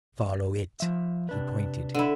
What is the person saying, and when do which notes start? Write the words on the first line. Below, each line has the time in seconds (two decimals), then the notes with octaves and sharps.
"Follow it." He pointed.
0.80 F3 E5
1.29 C3 D4 B4
1.95 D3 E4